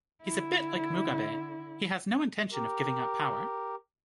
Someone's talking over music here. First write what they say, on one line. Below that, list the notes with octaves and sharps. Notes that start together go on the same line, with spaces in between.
He's a bit like Mugabe...He has no intention of giving up power.
D3 E4
G4 A#4